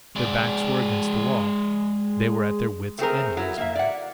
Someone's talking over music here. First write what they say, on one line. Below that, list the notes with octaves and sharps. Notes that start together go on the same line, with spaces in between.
Their backs were against the wall, they were at their wits' end, these men!
G#3 D5
A3 C4 G#4 A#4
F#3 E4
A#3 E5
D5 F#5